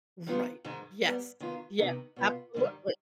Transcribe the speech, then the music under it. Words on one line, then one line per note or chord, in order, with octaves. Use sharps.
Right, yes. Yeah, absolutely.
D#3 G#3 B3 F4
G#2 D#3 G#3
G#2 G3 B3
D#3 B3 F4
C3 D#3 B3 D#4
B2 B3 F4
G#2 D#3 G3